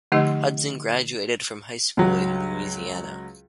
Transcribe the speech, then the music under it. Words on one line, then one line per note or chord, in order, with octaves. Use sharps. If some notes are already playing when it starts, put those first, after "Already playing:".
Hudson graduated from high school in Louisiana.
D3 F3 A3 D#4 G4 D#5
C#2 F#3